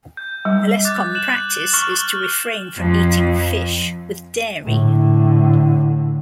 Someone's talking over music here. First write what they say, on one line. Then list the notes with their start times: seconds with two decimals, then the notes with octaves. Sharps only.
A less common practice is to refrain from eating fish with dairy.
0.17 G6
0.45 G3
0.85 D6 F#6 A6
1.15 F#6 E7 F#7
1.73 C#6 F6
2.78 F2
4.65 A2 D3